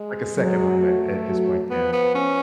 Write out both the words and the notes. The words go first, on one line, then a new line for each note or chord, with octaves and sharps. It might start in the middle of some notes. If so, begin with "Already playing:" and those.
Like a second home at at this point then.
Already playing: G#3
F#3
A3
F#3
F3 B3
B3
C#4